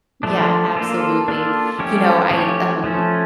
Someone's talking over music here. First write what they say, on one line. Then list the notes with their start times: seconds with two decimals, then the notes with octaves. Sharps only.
Yeah, absolutely. You know, I, um,
0.23 F3 A3 D4
0.76 A#3 D4 F4 A4
1.28 A#3 D4 F4 A4
1.79 F3 A3 C#4 G4 C#5
2.31 F3 A3 C#4 G4 C#5
2.84 F3 A3 C#4